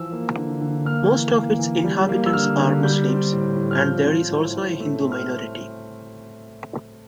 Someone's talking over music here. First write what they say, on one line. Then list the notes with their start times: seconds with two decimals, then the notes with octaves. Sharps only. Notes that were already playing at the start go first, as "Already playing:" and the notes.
Most of its inhabitants are Muslims and there is also a Hindu minority.
Already playing: E3 F3 E6
0.12 A#3
0.37 D3
0.61 D3
0.85 A#3 F6
1.11 E3
1.35 A#3
1.59 E3
1.84 G3
2.09 A#3
2.26 E6
2.33 D3 F6
2.58 D3
2.83 G3 G6
3.08 C4
3.32 A2
3.56 A2
3.71 F6
3.80 F3 G6
4.05 C4
4.30 A2
4.54 A2
4.80 A3
5.04 C4
5.12 F6